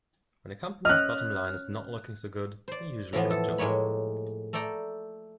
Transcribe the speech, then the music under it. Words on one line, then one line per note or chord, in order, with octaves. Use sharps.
When a company's bottom line is not looking so good, they usually cut jobs.
C#4 D#5 F6 F#6
C5 D5
A2 E3 F3 B3
A4
A2 G#3 A#3 C#5 B5
A3 A4 D5 G5 A#5